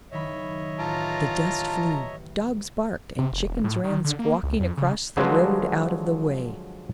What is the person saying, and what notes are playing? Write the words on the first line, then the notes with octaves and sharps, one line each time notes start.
The dust flew, dogs barked, and chickens ran squawking across the road out of the way.
F#1 D#3 C#5 D#5 E5 B5
A1 F4 A5 A#5
C3
F1
E1
A2
D#3
D3
A#3
C#2
F2
C#3
D3 F3 F#3 G#3 B4 C5